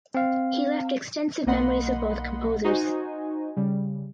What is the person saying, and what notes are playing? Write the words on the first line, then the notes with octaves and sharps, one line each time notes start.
He left extensive memories of both composers.
C4 F5
B1 A#3 D#5 F#5 B5 C6
D#4 F#4 C5 D#5 G#5
C#3 G3